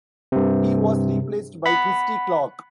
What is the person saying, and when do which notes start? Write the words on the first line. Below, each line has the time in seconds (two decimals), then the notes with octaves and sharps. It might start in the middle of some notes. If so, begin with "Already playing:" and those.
He was replaced by Christy Clark.
0.32 G2 C3
1.66 F#5 B5